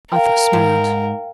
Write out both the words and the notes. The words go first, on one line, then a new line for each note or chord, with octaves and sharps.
Athos smiled.
A#4 F5 G5
G#2